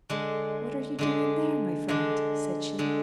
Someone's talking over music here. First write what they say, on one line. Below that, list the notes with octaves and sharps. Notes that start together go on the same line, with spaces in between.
"What are you doing there, my friend?" said she.
D3 G#3 D4
D3 G#3 D4
D3 G#3 D4
D3 G#3